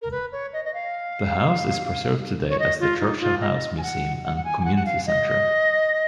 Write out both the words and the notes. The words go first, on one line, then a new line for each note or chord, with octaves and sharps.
The house is preserved today as the Churchill House museum and community centre.
A#4
B4
C#5
D#5
D#5
F5
C#5
D#5
F4
D#4
F4
D#5
G#5
F#5
F#5
F#5
G#5
G#5
F#5
F#5
F5
D#5